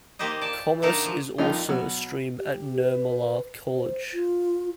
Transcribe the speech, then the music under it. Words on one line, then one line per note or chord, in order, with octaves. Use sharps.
Commerce is also a stream at Nirmala College.
D#3 A#3 G4 C5 D#5
D5 A5
D3 A3 A#3 D#4 A#4 A5
F3
A#1 F2 D#3 D#4 F4
B2 F#3
G4
B4
C5
F4